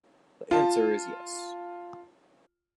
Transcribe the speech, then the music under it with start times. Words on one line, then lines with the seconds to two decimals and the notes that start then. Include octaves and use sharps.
The answer is yes.
0.51 F4 A5